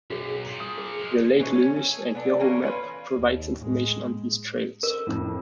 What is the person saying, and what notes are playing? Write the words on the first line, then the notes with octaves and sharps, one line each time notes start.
The Lake Louise and Yoho Map provides information on these trails.
B1 F#4 G#4
A#2 F3
D#6
G#4
F3 G#3
E3 G#3 A3 C#5
C#4
A3 G#4
B3 D4 A4
E3 A3 A#3 C#4
C#4 F4 B4
D#2
A2 G#3
A#4
F2 A2